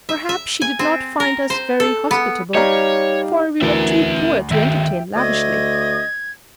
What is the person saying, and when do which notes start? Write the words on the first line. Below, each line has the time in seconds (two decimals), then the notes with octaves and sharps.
Perhaps she did not find us very hospitable, for we were too poor to entertain lavishly.
0.09 E5
0.29 E5
0.62 G#5
0.79 C4
1.20 A#4
1.50 C5
1.80 A4
2.11 B3
2.54 G3 D#4 G4 C#5 D5 F5 A#5
3.62 D2 E3 A#4 E5
4.51 D#3 F#4 E5 G5
5.15 D2 D#5 G#6